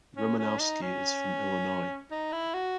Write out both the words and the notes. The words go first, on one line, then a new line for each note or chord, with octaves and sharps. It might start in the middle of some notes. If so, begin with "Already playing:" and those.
Romanowski is from Illinois.
C#4
C#4
D#4
C#4
D#4
E4
F#4